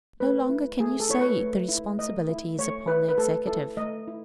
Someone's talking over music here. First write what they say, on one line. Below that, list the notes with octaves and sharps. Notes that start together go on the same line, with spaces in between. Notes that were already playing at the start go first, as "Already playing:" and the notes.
No longer can you say the responsibility is upon the Executive.
A3 B4
E4
A3 G#4
A4
E4 C#5
B4
A3
E4
A3 D#5
E4
A3 C#5
E4 B4
B4
A3 A4
E4 A4
A3 D#5
E4